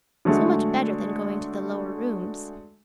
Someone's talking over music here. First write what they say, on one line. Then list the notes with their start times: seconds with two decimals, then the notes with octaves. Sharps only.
So much better than going to the Lower Rooms.
0.25 D3 F#3 G#3 A3